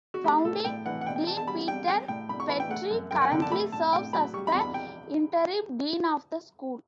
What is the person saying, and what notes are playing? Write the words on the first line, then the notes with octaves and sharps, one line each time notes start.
Founding dean Peter Petri currently serves as the interim dean of the school.
F#4
A3 G4
A2 A4
A2 G5
E3 F#5
F#5
B2 G5
G5
B2 A5
A5
G3 B5
G3 G5
G3 G5
A2 G5
A2 B5
C#6
E3 B5
G5
A3 F#5
F#2
F#2 G5
F#5
D3 G5
A5
A3 B5
A2 A5
A2 G5
F#3 B5
G3 C#6
B5
E2
B5
G5